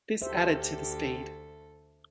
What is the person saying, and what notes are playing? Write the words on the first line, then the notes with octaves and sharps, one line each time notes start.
This added to the speed.
D2 G4 A4 C5 E5